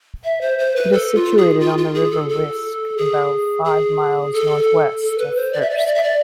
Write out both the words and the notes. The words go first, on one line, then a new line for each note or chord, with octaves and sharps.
It is situated on the River Wiske, about five miles north-west of Thirsk.
E5
C5
C5
B4
A4
F4
G#4
F4
F4
G#4
A4
A4
G#4
G#4
A4
A4
B4
C5
D5
E5
D5
E5
D5
E5
D5